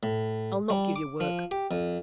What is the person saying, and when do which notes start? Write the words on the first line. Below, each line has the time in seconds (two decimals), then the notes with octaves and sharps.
I'll not give you work.
0.03 A2
0.70 G3
0.96 D6
1.20 F3
1.51 G4
1.71 F2